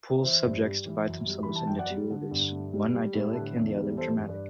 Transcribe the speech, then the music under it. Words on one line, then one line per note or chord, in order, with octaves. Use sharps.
Poole's subjects divide themselves into two orders, one idyllic, the other dramatic.
E3 C5 E5
G2
G3
E3
F#2
G3
B5
E3
A5
F#2 G5
D5 F#5
G3
D3
G2
A3
G3
G3
A2
A4
D3 B4
E2
G3
E3 A4 C5
G2
B4 D5